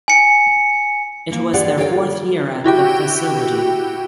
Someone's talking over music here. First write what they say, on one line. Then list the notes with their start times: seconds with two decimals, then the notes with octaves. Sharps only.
It was their fourth year at the facility.
0.08 G#5 C#7
1.31 A#3
1.53 F4 G4 G#4 D5 F#5
1.77 F4 G4 A4 A#4 C#5 G5
2.64 E4 F#4 G4 G5